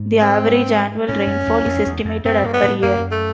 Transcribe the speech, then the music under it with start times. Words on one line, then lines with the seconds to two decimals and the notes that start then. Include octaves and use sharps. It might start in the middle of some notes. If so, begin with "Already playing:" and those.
The average annual rainfall is estimated at per year.
Already playing: G#2
0.21 C4
1.08 G#2 C#4
1.27 F#2
1.48 E2
1.66 F2
1.86 E2
2.05 F2
2.25 F#2 C4
2.44 G2 A#3
2.53 B3
2.63 A2
2.83 F#2 A#3
3.12 A3